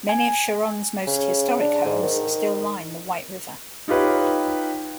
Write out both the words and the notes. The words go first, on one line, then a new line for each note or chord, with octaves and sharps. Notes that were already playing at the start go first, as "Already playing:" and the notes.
Many of Sharon's most historic homes still line the White River.
G#5
C#3
D4
G#2
D#3
D#4 F4 G4 B4 C#5